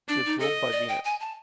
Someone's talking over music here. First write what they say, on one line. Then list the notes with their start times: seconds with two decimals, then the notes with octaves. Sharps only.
It is ruled by Venus.
0.08 D4 D5
0.25 D#4
0.40 A4 D#5
0.72 D5
0.88 G5
1.05 G#5
1.20 A5